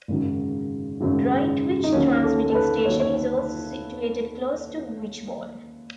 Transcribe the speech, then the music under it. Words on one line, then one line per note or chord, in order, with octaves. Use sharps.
Droitwich transmitting station is also situated close to Wychbold.
G#1 F#2 C#3 F#3
G#1 F#2 C#3 F#3
D#4
D#2 D#3 F#3 C#4
A4
A4
B4
D#2 D#3 F#3 C#5
C#5